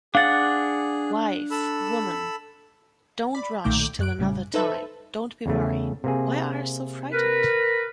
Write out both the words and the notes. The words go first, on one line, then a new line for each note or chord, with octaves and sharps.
Wife/Woman, don’t rush till another time, don’t be worry, why are so frightened?
D4 G#4 F5 F#5 A6
A4 B5 E6
D5 B5
B1 A#2 D#3 A3 D6 G6
F#2 F#6 D7
A#1 A2 C#3 G3
D#4 A4 B4 C5 E5 A5
E2 C#3 A3
C3 A#3 G#4
A#4 B4